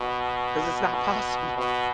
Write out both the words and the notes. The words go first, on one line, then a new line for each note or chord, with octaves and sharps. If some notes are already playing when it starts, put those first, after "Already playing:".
'Cause it's not possible.
Already playing: B2
B2